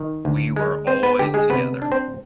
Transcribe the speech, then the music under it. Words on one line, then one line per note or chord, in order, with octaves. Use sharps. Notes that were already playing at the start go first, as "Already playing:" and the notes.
We were always together.
Already playing: D#3
D2
G#3
C4 C5
B3 B4
D3 G4
G#3 G#4
C3 B3 B4
D4
C4 C5